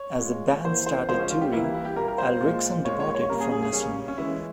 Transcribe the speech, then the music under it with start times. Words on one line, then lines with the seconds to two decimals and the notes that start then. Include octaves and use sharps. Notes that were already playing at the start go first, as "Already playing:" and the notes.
As the band started touring, Alriksson departed from Nasum.
Already playing: C#5
0.20 A#2 G#3
0.65 E3 A#3 C5
0.86 C5
1.09 C#3 F3 G#3 C5
1.19 C#4
1.30 F4
1.41 G4
1.53 E3 G3 A#3 E4
1.64 E4
1.74 E4
1.85 G4
1.96 A#2 G3 A#3 A#4
2.08 A#4
2.18 C5
2.41 A#2 G#3
2.85 A#2 G#3 C#5
3.00 C#5
3.15 C#5
3.29 C#3 G3 A#3 A#4
3.40 G#4
3.51 G#4
3.62 G#4
3.73 C#3 G3 A#3 C#4
4.08 C#4
4.18 E3 G#3 E4